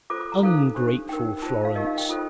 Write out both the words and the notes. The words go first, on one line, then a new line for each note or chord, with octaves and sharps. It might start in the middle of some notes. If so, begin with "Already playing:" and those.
Ungrateful Florence!
F4 A4 C5 D6
D6
A#5
D#4 A4 C5 F5
D4 G4 C5
D#4 A#4 G5
F4 C5 A5
F5
D#4 G4 A#4 D#5
F5
G5
F4 A4 C5